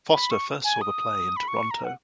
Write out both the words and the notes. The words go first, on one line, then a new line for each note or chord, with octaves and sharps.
Foster first saw the play in Toronto.
B5
C#6
G#5
D#6
B5
C#6
A#5
F#5